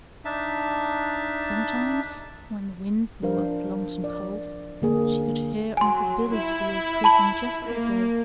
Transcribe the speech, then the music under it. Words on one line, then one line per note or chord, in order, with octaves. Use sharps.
Sometimes, when the wind blew up Lonesome Cove, she could hear Uncle Billy's wheel creaking just that way.
D4 D#4 E5 A5
F3 D4 A#4 C5 F5
D5
D3 A#3 G#4
F#3 G#5 C6
E4
A5 B5 F#7
A#3